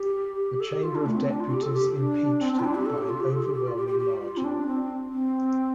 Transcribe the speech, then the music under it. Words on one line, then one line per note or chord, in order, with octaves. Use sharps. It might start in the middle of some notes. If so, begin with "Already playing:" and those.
The Chamber of Deputies impeached him by an overwhelming margin.
Already playing: G4
A4
G4
F4
D4
A3
C4
D4
F4
G4
A4
G4
D4
C4
C4
F4
D4
G4
A4
G4
F4
G4
A4
G4
G4
F4
G4
G4
G4
F4
C4
D4
C4
C4